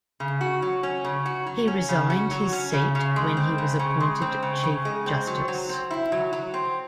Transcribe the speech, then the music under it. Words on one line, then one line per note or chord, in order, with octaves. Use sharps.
He resigned his seat when he was appointed Chief Justice.
C#3
F#4
F#3
C#4
C#3
F#4
F#3
C#4
C#3
F#4
F#3
C#4
C#3
C#3
G#3
C4
C#3
C#3
G#3
C4
C#3
C#3
G#3
C4
F#3
F#3
C4
E4
F#3
F#3
C4